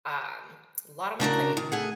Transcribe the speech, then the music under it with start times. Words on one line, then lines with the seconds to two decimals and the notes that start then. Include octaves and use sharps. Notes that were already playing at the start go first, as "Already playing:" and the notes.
um, a lot on my plate.
1.20 C#3 D4 F#4 A#4
1.57 D#3
1.72 A3 G#4 F#5